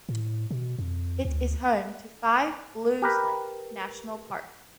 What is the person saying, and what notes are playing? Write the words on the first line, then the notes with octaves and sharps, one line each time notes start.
It is home to Five Blues Lake National Park.
A2
B2
F2
D2
G4 A#4 B4